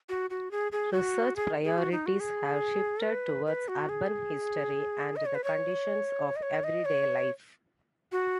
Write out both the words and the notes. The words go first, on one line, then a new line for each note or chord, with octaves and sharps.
Research priorities have shifted toward urban history and the conditions of everyday life.
F#4
F#4
G#4
G#4
F#4
G#4
G#4
F#4
D#4
F#4
G#4
B4
B4
F#4
G#4
D#5
C#5
B4
C#5
D#5
C#5
D#5
C#5
F#4